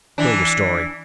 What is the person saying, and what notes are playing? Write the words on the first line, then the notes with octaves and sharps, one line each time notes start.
"Spill your story."
E3 D4